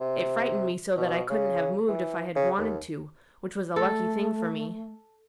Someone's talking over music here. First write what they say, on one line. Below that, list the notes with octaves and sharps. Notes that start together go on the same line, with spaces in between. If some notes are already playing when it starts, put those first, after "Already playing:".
It frightened me so that I couldn't have moved if I had wanted to, which was a lucky thing for me.
C3
B2
C#3
E3
C#3
D#2
A3 A4